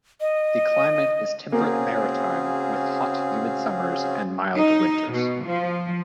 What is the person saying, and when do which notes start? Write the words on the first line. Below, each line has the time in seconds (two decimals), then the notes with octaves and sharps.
The climate is temperate maritime, with hot humid summers and mild winters.
0.20 D#5
1.52 C#3 A#3 C4 C#4 F#4 G#4 F5
4.56 D#4
5.12 B2
5.45 F3